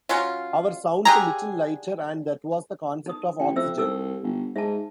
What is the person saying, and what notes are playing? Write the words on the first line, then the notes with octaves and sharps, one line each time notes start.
Our sound's a little lighter and that was the concept of "Oxygen".
F#3 C#4 F4
D3 G4 G#4 A#5
D#4 D#6
A1 G5
F2 C5 E5 E6
C2 D#4 A4 E6
G1
G#2 E5 A5